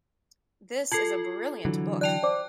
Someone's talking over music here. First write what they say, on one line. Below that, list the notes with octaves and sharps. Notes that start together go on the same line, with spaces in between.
This is a brilliant book.
F4 A4 A5 G#6 C7
D3 E3 F#3
D5 G5 A5 F#6 F7
C5 D5 D6